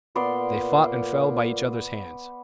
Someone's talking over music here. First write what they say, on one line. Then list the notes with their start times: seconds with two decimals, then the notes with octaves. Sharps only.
They fought and fell by each other's hands.
0.16 A#2 B3 D5 C6